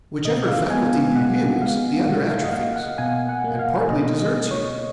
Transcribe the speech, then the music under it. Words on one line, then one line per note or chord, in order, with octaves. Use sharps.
Whichever faculty you use, the other atrophies, and partly deserts you.
B2 D#5
F5
G#3 B3 G#5
B2 F#5
G#3 B3 F5
B2 F#5
F5
D#5
A#3 F5
F#5
B2 G#5
F#5
A#3
F5
B2 D#5
D#5
A#3
C#5